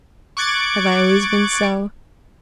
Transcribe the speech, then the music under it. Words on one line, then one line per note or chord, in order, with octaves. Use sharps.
Have I always been so?
C#6 D6 F#6 G#6 A6 D7